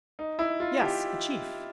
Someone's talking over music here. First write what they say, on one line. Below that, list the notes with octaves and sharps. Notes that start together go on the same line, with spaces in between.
"Yes, a chief."
D#4
E4
F4
G4